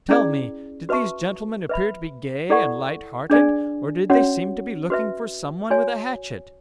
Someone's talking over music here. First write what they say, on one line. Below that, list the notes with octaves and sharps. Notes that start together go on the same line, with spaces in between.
"Tell me, did these gentlemen appear to be gay and light-hearted, or did they seem to be looking for someone with a hatchet?"
C#4 E4 G#4 D5
F#4 B4 E5 A5 C#6
B4 E5 B5
E4 A4 D5 F#5 C#6
D4 G#4 D5 G#5
C#4 F#4 C#5 F#5
F#4 B4 E5
F#4 C#5 G#5